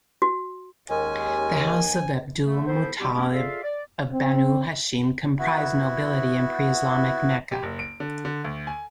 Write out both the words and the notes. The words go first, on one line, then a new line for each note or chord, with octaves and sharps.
The House of Abdul-Muttalib of Banu Hashim comprised nobility in pre-Islamic Mecca.
F#4
D#2 G#3 C#4 G#5
D3 A3
F3 B3 E4 A4 C5
B2 G3 B3 C4 D#4 G4
G#3 A#3 C#4 D4 G4
F4 G#4 A4 D5 E5 F5
D5
C4
B3 E4 F#4
G4
F#1
D7
D3
D3
D2
G#5